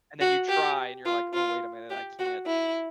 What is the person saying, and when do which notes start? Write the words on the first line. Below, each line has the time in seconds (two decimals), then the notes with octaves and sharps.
and then you try, and you're like, "Oh, wait a minute. I can't."
0.21 F#4
0.49 G4
1.05 F4
1.34 F4
1.90 G4
2.19 F#4
2.46 E4